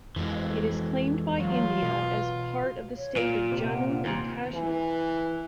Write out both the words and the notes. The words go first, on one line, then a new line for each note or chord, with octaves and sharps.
It is claimed by India as part of the state of Jammu and Kashmir.
F2 E3 G#3
F#3 F4
B2
C#5
A#2 F4
C3
F#5
F4
D#2 A#2
E3